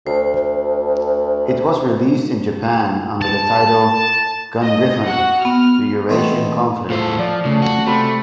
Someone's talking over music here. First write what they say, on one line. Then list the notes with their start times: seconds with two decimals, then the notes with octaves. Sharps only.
It was released in Japan under the title "Gungriffon: The Eurasian Conflict".
0.07 D2 C5
3.22 A5
4.63 D#5
5.07 F#4 F#5
5.45 B3 F6
6.09 B2 E3 A3 B3 C4
6.90 A2 F4 A4 C5 E5
7.19 F3 D5
7.45 C#3 A3 A4
7.62 F#4
7.86 C3 A3 B5 C6